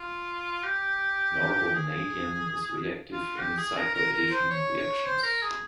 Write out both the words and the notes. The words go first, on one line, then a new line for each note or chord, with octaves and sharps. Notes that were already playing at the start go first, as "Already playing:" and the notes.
Norbornadiene is reactive in cycloaddition reactions.
Already playing: F4
G4
G#4
F4
G4
G#4
A#4
A#4
A#4
C5
C#5
C#5
C5
A#4
G#4